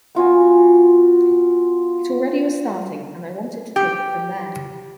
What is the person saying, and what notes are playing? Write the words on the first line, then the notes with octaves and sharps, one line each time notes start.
It already was starting and I wanted to take it from there.
B3 F4 F#4 G#5
G4